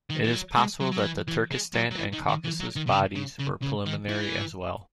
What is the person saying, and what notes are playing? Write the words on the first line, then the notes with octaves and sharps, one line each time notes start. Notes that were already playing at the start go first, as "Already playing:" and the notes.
It is possible that the Turkistan and Caucasus bodies were preliminary as well.
D#3
E3
F#3
G#3
F#3
F#3
E3
E3
G#3
F#3
F#3
E3
D#3
D#3
E3
F#3
D#3
B2
C#3
C#3
C#3
C#3
D#3
E3